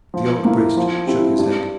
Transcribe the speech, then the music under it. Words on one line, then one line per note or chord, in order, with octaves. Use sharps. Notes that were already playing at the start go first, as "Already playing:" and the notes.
The old priest shook his head.
F3
A#3 E4
F3
C4 E4 G4
G2